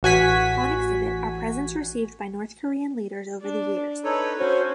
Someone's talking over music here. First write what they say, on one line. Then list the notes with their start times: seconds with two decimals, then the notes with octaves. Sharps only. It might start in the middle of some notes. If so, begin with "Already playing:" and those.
On exhibit are presents received by North Korean leaders over the years.
0.03 A1 F#4 G#5 B6
3.42 D4
4.04 D#4 A4 B4 C#5
4.39 C#4 F#4 C5 C#5